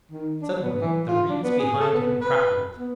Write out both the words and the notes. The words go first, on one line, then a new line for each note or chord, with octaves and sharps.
Suddenly the reeds behind him crackled.
D#3
D4
B3
E3
F4
D4
B3
G#4
A4
B3
B4
B3